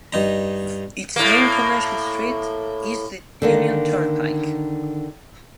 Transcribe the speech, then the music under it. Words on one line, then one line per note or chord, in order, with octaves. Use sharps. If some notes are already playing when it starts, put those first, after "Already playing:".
Its main commercial street is the Union Turnpike.
G2 D#4 A#5
A2 A#3
D3 D#3 A#3